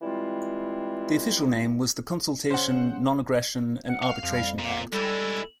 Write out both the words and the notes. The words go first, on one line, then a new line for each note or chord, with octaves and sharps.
The official name was the Consultation, Non-Aggression and Arbitration Pact.
E3 G3 G#3 C4 E4 F4
C#3 C5 F#5
F#5
F5
F2 G3
A#2 A#3
G3 G#3 E4 A4